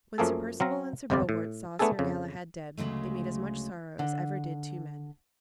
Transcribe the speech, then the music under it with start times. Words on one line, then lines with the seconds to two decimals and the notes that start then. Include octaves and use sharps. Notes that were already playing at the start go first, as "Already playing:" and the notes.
When Sir Perceval and Sir Bohort saw Sir Galahad dead they made as much sorrow as ever did two men.
0.18 F#2 F3 A3 A#3 G#4 A4
0.60 F#3 C4 F5 A#5
1.10 G1 F2 C3 G3 F4 D5
1.29 A2
1.79 A3 B3 D4 G#4 A4
1.99 F2 C#3
2.77 D2 C#3 F#3 G#3 A3
3.99 D3